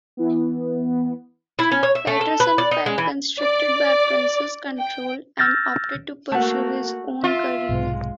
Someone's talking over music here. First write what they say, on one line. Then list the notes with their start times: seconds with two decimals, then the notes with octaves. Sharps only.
Peterson felt constricted by Prince's control and opted to pursue his own career.
0.17 E3 B3
1.59 E4
1.72 C#4
1.83 C#5
1.95 E5
2.07 A3
2.21 A4
2.40 B4
2.58 D5
2.71 D#4
2.86 G#3
2.98 E3
3.40 D5
4.78 G5
5.39 E6 F6 G6 A6 A#6
6.32 A3 A#3 F#4 F#5
7.24 F4 E5
7.69 B1 G#2 C3 G#3